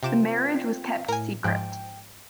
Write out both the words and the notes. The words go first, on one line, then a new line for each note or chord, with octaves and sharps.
The marriage was kept secret.
C3 C4 F4 G5 D6 E7
A2 A#4 G#5
G#2 F3 G5